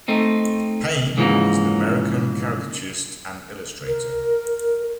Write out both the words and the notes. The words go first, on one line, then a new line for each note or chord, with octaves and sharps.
Payne, is an American caricaturist and illustrator.
A3 C4 D#4
G#2 C#3 E3 F3 G#3 A#3
A#4